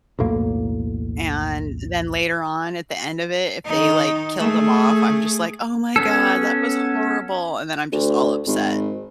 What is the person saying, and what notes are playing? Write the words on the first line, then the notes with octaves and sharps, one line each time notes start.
and then later on, at the end of it, if they, like, kill them off, I'm just like, "Oh my god, that was horrible," and then I'm just all upset.
B1 E2 A2 A#3
D#3 D#4
A3 G#4
B3 C#4 A4
D2
G#1